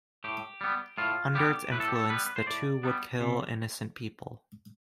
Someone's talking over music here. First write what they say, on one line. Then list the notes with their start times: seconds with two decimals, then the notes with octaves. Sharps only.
Under its influence, the two would kill innocent people.
0.24 A2 G4
0.61 G3 B3
0.98 A2 F4
1.35 G3 B3 G4
1.72 A2 B4
1.80 A4
1.88 G4
1.95 A4
2.09 G3 B3 B4
2.26 B4
2.36 C5
2.46 A2 D5
2.83 G3 B3
3.20 C3